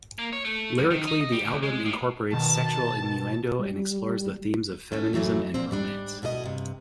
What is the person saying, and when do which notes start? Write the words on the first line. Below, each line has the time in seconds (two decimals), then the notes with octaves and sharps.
Lyrically the album incorporates sexual innuendo and explores the themes of feminism and romance.
0.19 A#3
0.33 C#5
0.45 A3
0.78 F#2
0.91 D#3
1.07 D#4
1.21 D#5
1.32 G3
1.45 D2
1.63 G#3
1.85 A2
2.33 B2 D#3 A5
3.59 G3
4.92 A3 C#4
5.13 F#2 E3 F#3 A3 E4
5.54 A#2 F3 F#3 C4
5.71 G#2 G3 D4
6.22 D2 B2 E4 G#4 D#5
6.44 G2 C3